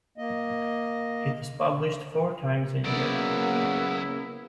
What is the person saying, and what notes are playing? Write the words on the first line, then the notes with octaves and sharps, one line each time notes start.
It is published four times a year.
A#3 D#5
C#3 F#3 A#3 B3 E4 D5